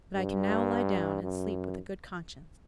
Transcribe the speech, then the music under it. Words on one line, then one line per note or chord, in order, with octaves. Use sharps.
"But I can now lie down and sleep with a good conscience."
G2
F#2